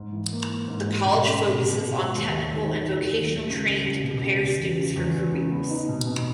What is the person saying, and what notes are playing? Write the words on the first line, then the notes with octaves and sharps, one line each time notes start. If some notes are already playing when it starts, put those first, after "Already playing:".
The college focuses on technical and vocational training to prepare students for careers.
Already playing: G#2
E3
A#3
A#3
G#2
G#2
B2
C#4
B2
B2
B2
G#3
D#2
D#2
D#3
D#3
D#2
D#2
F#3
C#2
C#2
C#2
B2
C#2
C#3
E2
C#3
E2
E2
C#3
B3
D#4
B2
B2